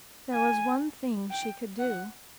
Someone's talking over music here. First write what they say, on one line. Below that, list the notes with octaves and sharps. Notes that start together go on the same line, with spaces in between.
There was one thing she could do.
G#5
G5
F#5